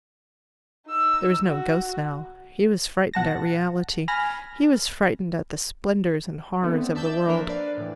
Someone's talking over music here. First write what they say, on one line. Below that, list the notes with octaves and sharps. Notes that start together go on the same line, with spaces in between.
There was no ghost now; he was frightened at reality; he was frightened at the splendours and horrors of the world.
D#4 E6
F#4
B1 F#5 A5 A#6
G#5 B5 F6 A#6
D3 A3 B3 C4
D5 E5 A5 E6 G6
F3 A#3 D4 A#4 C5 E5
D4 B4 D5 F5
A2 E3